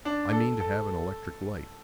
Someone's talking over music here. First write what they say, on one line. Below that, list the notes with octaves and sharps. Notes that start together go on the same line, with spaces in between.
"I mean to have an electric light."
D4
A4
A4